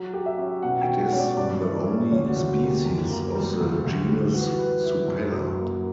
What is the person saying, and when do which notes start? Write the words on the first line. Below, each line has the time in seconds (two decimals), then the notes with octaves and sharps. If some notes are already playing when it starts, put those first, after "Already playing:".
It is the only species of the genus Supella.
Already playing: F#3
0.13 G4
0.26 E5
0.38 C#4
0.63 B2 F#5
0.82 G5
0.88 F#4
1.00 F#5
1.12 C#4 C#5
1.19 D5
1.37 G2 D5
1.61 E4
1.86 C#4
2.12 D2 C#5
2.29 F#4
2.36 D2
2.49 F#4
2.61 A#3
2.67 G4
2.86 F#2
3.10 A#3
3.35 G3
3.60 D2
3.85 D2
4.09 G3
4.34 E3 F#4
4.58 B4
4.83 E4
5.08 F#2
5.33 F#2
5.58 A#3